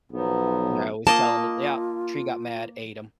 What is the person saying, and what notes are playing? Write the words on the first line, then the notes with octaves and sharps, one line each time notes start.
and I always tell him, "Yup, tree got mad, ate 'em"
B1 F3 F#3 B3
A#3 F4 D#5 A5